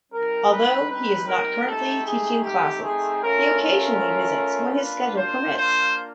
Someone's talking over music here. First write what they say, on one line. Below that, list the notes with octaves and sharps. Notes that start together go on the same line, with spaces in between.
Although he is not currently teaching classes, he occasionally visits when his schedule permits.
G3 C4 D#4 A#4
B4
B4
A#4
A3 C4 D#4 G4 A4
G#4
G4
G#4
A3 C#4 F4 A#4
A#4
A#3 D4 F4 B4
C5
C5